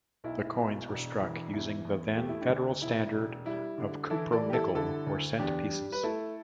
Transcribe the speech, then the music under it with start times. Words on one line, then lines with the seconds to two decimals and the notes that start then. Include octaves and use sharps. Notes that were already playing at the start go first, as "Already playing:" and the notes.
The coins were struck using the then Federal standard of cupronickel for cent pieces.
0.24 B1 E4
0.55 B2
0.88 E1
1.21 E3
1.53 E2 E4
1.84 E2
2.17 A3 G4
2.29 E4
2.41 D4 G4
2.49 D2
2.81 E1 E4
3.14 E1
3.45 G3 E4
3.78 D3
4.10 E3 E4 A4
4.32 A4 D5
4.43 G3
4.50 G4
4.53 E4 A4
4.75 D3 E4 A4
5.07 D2
5.39 E2 D4 G4
5.71 G3
5.92 B4
6.03 A3 E4 A4